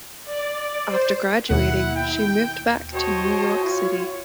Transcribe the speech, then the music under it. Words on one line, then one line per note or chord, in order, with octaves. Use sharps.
After graduating she moved back to New York City.
D5
C5
D#2 B2 E4 F#5
G5
F#4 C5 C#5 D#5 G5 A5
F4 C#5